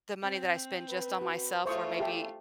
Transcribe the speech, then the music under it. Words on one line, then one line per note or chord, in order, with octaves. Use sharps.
the money that I spend just on myself where maybe
C4
B4
F#4
E2 A3 E4 F4 C5 C#6 D#6
G4 A4 E5